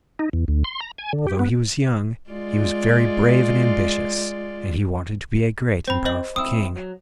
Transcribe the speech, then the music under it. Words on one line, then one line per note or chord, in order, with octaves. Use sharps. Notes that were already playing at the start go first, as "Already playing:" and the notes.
But although he was young, he was very brave and ambitious, and he wanted to be a great and powerful king.
D#4
E2
D2
C6
A#5
G#5
D3
G4
B3
G#3 F4 D5
C4 C5 B5
C5 D#5 F#7
C4 E4 D#6 E6
F#3